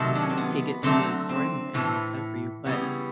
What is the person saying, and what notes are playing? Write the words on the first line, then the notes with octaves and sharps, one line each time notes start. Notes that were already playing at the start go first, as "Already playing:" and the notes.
take it to the store and and it'll cut it for you, but,
Already playing: C3 D#3 F#3 A3
D4
C#4
C4
B3
D3 F#3 A3 C4
C4
A2 E3 A3
C#3 E3 G3 B3